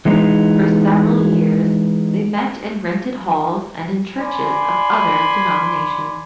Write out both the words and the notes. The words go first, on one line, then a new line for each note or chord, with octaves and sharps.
For several years they met in rented halls and in churches of other denominations.
E3 G#3 B3 D4 D#4
D5 G#5 B5 C6